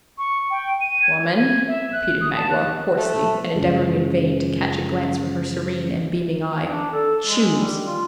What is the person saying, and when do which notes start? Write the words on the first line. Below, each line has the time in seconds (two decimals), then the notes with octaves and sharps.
"Woman," repeated Magua, hoarsely, and endeavoring in vain to catch a glance from her serene and beaming eye, "choose!"
0.18 C#6
0.51 G5
0.81 D#7
1.02 G#6
1.38 G#6
1.68 E5
1.92 F#6
2.21 D#6
2.36 A5
2.50 F#6
2.98 A3
3.56 F#2 C#3 F3 G#3
6.66 D4
6.93 A4
7.25 G#3
7.57 G3
7.86 F4